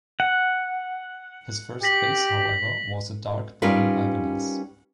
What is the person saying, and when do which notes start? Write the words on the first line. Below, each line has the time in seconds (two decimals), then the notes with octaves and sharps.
His first bass, however, was a dark brown Ibanez.
0.20 F#5
1.83 G4 A#6 B6 F#7
3.62 G3 C#4 D#4 F4 A#4 B4